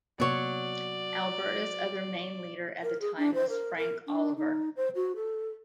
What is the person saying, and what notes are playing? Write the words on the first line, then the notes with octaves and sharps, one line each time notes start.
Alberta's other main leader at the time was Frank Oliver.
C3 F#3 A#3 B3 C#5 D5
A#4
G#4
D4
C5
A#4
A#4
D4
D#4
C5
F#4
A4